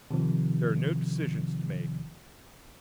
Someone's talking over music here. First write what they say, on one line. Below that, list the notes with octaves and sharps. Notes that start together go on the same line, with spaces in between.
There are no decisions to make.
C3 D#3 F3